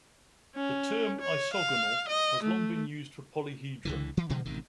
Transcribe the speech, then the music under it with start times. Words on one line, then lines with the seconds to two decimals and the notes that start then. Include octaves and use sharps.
The term isogonal has long been used for polyhedra.
0.55 C#4
1.21 C#5
1.53 F5
2.08 D#5
2.43 A3
3.85 C#2 D3 E3
4.17 E3
4.29 B2 D3 F3 G#3
4.45 A1 C3 D#3